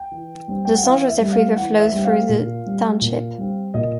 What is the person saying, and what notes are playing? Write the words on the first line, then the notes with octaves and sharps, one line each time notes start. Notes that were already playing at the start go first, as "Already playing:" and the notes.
The Saint Joseph River flows through the township.
Already playing: G5
E3
G3 C4
G5
F#5
E3 F5
E5
G3 C4
F5
E3 F#5
E5
G3 C4
F5
A#2
G3 C4
A#2
G3 C4
A#2 D#5